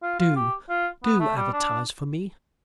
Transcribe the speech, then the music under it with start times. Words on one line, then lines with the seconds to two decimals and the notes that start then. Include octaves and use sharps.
Do, do advertise for me.
0.02 F4
0.19 F4
0.36 G4
0.70 F4
1.03 B3
1.20 A3
1.37 G3
1.53 D4